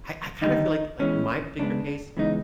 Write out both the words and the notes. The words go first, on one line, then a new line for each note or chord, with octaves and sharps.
I I kind of feel like like, in my particular case,
D#2 D3 G3 D#4
C#2 C#3 E3 G#3 B3 C#4
C#2 C#3 E3 G#3 B3 D4
C#2 C#3 E3 G#3 B3 D#4